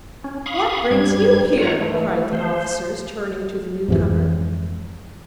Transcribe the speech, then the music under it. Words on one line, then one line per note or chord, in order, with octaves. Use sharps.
"What brings you here?" cried the officers turning to the newcomer.
C#4
F5 B5 C#6 D#6
G2 G3 G#6
F4 C#5 F#5 A#5
E3 A3
C5
F2 G#2 E3